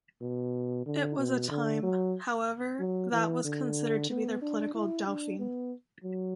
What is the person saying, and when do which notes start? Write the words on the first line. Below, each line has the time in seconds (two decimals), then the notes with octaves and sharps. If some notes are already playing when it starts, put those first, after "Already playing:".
It was a time however, that was considered to be their political dauphine.
0.21 B2
0.86 D3
1.18 B2
1.51 D3
1.83 F#3
2.80 F#3
3.12 E3
3.44 D3
4.10 B3
4.42 D4
4.74 E4
5.07 D4
5.39 B3
6.04 F#3